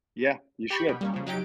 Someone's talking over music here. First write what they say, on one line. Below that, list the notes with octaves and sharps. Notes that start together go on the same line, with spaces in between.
Yeah, you should.
G4 G5 B5 C#6
B2
G3 A#3 C#4
C#3 F3
F#3 D#4 G4 D7